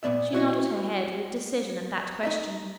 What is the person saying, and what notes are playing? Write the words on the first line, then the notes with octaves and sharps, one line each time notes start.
She nodded her head with decision at that question.
A#2 A#3 B3 D5 E5
E4 F#4 C#5 D#5
D#4 D#5 E5